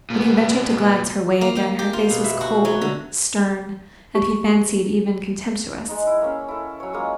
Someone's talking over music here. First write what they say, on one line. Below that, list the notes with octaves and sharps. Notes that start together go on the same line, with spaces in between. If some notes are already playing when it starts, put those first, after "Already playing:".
When he ventured to glance her way again her face was cold, stern, and he fancied even contemptuous.
A#2 B3
A#3
G4
G4
F4
B2
E5
F#4
F#3
D3
G4
G#3 D#4
E4
A#3 C#4 F5
E4 A4
F#3 C#5
G#3 A#3 F4 G#4